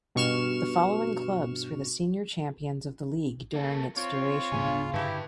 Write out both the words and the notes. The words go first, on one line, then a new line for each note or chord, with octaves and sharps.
The following clubs were the senior champions of the league during its duration.
G2 B2 C#6 F6 E7
A#3 A4
C4 F4 C#5
D1 G#2 C#3 B3 D4 G#5
G2 D3 E4 G4 B4 A5